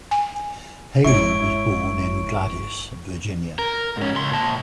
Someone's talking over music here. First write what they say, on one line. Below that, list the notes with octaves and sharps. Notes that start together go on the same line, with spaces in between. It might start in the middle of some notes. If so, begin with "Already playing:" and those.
Haley was born in Gladys, Virginia.
G#5
G1 G#2 G#3 E4 C#5 C#6 D7
A#4
G#2 C#4
C#2 C6
A#2 A5